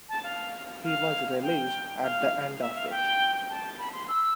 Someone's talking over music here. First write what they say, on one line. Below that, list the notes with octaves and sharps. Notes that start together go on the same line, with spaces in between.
He was released at the end of it.
A5
F5
F5
G5
F5
E5
F5
G5
A5
B5
C6
E6